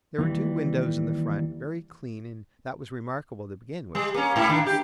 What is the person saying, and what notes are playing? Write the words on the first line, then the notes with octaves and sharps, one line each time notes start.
There were two windows in the front, very clean, and that was remarkable to begin with.
D#2 E3 G3
G3
A#3 C#4
G#2 E4
D#3 A#3 D4
G4